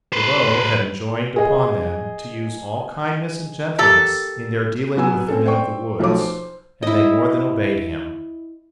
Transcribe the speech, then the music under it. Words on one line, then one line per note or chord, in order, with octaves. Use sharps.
Ribaut had enjoined upon them to use all kindness and gentleness in their dealing with the men of the woods; and they more than obeyed him.
B4 C5
G#4 D#5
A#3 G4 A4
F#3 B3 G#5 E6
C4 C#4 A4
C5 D5 G5 C#6
B1 F3 A3 C#5 D6
C5
E4 D#5